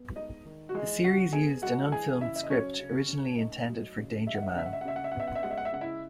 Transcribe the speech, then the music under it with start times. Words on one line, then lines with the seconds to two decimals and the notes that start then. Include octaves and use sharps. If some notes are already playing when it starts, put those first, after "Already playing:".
The series used an unfilmed script originally intended for "Danger Man".
Already playing: B3
0.16 G#3 D#4 D#5
0.45 D#3
0.69 F#4
0.74 E3 G#3 G#4
1.04 C#3 F#4 F#5
1.33 B3 G#4 G#5
1.62 G#3 F#4 F#5
1.92 E3 G#4 G#5
2.21 C#3 E4 E5
2.36 E5
2.43 D#5
2.50 F#3 C#4 C#5
2.79 C#3
3.09 C#3
3.38 A3 D#4 D#5
3.68 F#3
3.97 C#3
4.27 G#3 E5
4.35 F#5
4.42 E5
4.50 F#5
4.56 C#3 E5
4.66 F#5
4.73 E5
4.81 F#5
4.85 C#3 E5
4.96 F#5
5.04 E5
5.12 F#5
5.15 B3 E5
5.28 F#5
5.35 E5
5.43 G#3 F#5
5.51 E5
5.57 F#5
5.65 E5
5.72 C#3 F#5
5.81 E4 E5